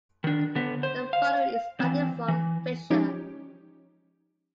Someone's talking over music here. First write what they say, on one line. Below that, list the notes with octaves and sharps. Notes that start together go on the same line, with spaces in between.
The following is added from Fisher.
D#3 D4
D3 B3
C5
F5
E3 C4
E3
F3 G#3 C#4 D#4 G4 C#5